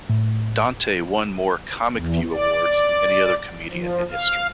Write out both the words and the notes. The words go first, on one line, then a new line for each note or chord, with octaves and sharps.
Dante won more "ComicView" awards than any other comedian in history.
A2
E2
D5
F3
F5